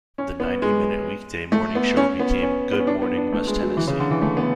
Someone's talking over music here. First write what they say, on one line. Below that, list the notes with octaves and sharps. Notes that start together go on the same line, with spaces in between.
The ninety-minute weekday morning show became "Good Morning West Tennessee".
C#4
B3
G#3
A3
B3
C#4
B3
C#4
B3
C#4
D4
B3
D4
A3
G#3
F#3
E3
C#3
D3
E3
A3
B3